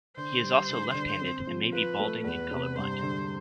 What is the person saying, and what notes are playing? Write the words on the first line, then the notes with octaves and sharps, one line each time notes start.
He is also left-handed and may be balding and colorblind.
D3 C5
G3
D3
D3
C4
F3
F4 B4
A3
E2 B4
C3
G2 C5
D3